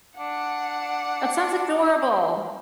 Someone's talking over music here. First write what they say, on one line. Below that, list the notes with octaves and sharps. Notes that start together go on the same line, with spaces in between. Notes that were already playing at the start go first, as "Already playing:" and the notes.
That sounds adorable.
D4 F#5